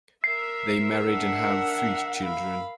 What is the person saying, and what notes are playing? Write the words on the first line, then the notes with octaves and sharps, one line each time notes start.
They married and have three children.
A#4 E5 C7
D4 F#5
F5 B5